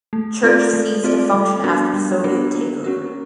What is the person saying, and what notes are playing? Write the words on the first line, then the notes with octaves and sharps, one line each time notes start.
Church ceased to function after Soviet takeover.
A3
C4 F4 A4 D5
A3
C4 F4 A4 D5
G3
B3 D4 F#4 A#4
G3
B3 D4 F#4 A#4
A#3
C#4 F#4 A#4